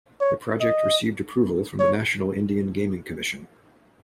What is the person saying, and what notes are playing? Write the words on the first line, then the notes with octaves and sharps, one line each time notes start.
The project received approval from the National Indian Gaming Commission.
C#5
D#5
C#5